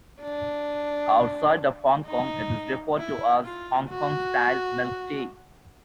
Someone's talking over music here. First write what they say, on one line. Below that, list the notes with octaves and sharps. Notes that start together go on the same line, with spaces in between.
Outside of Hong Kong it is referred to as Hong Kong-style milk tea.
D4
D#4
E4
F4
F#4